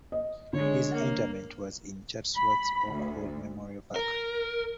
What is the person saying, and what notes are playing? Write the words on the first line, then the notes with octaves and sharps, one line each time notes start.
His interment was in Chatsworth's Oakwood Memorial Park.
D#5
D3 G#3 C#5
A#3
B5
D2
A#4